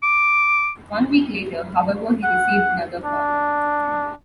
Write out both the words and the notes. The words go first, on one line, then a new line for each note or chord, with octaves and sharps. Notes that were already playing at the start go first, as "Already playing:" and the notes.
One week later, however, he received another call.
D6
F#5
D4